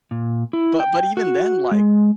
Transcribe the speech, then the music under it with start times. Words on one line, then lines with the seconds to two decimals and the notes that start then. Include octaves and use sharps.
but but even then, like
0.11 A#2
0.53 E4
0.80 G5
1.17 F#4
1.71 G#3